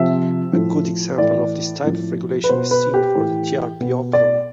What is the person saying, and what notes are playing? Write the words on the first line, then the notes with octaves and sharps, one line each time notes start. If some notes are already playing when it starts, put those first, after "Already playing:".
A good example of this type of regulation is seen for the trp operon.
Already playing: C3 F3 E5
A2 F3
A2 E3 D5
A2 F3
B4
B2 C5
B4
G4
A2 E3
B2
D5